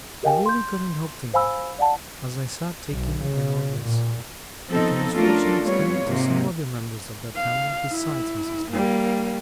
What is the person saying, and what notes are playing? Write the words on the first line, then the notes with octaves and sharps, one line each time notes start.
I really couldn't help thinking, as I sat taking in all this, that the misfortune extended to some other members of that family besides Mrs. Gummidge.
G4 A#4 D#5 F5 G5 G#5
C6 G6
C5 F5 G#5 B5 E6
D5 F5 F#5 A5
B1
C#3
A#2
F3 B3 C4 D#4 A4
A3 C#4 D4 F4 A4 A#4
G3 B3 C4 F4 C#5
G#2 C3 A#3
F5
E4
G3 A#3